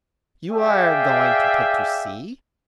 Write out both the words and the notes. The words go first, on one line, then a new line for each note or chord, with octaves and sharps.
"You are going to put to sea?"
G#4 D5 E5 F5 G5